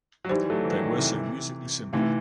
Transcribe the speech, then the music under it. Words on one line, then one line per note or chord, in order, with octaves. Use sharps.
They were so musically simple.
F#3
E3 G3 D#4 G4 C5
F#3 A3
E3
D#3 F#3
D#3
C3 E3
C3 E3 A3 C4 D#4